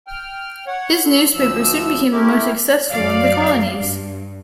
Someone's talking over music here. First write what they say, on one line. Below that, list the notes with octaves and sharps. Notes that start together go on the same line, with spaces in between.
His newspaper soon became the most successful in the colonies.
G5 F6
C#5 F#5
A4 C6
D2 F3 E6
A3 E4 G4 A#4
F#2 F#3 D5 F5
G2